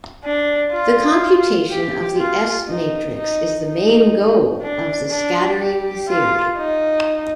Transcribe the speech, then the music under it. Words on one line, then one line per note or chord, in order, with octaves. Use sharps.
The computation of the S-matrix is the main goal of the scattering theory.
D4
F4
G4
F4
D#4
D#4
D#4
D4
D4
G4
F4
D#4